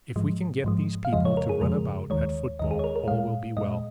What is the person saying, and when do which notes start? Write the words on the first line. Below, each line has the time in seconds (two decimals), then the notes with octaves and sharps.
If we can get these people to run about at football all will be well.
0.16 G#2 F3 G#3
0.64 G#2 F3 G#3
1.05 F5
1.13 F2 C#3 F3 G#3 D#5
1.25 C#5
1.37 A#4
1.49 G#4
1.61 F2 C#3 F3 G#3 A#4
2.10 D#2 D#3 G#3 C#5
2.59 D#2 D#3 G#3 D#5
2.71 G#4
2.79 C#5
2.84 A#4
2.96 A#4
3.08 A#2 G#3 F5
3.57 A#2 G#3 D#5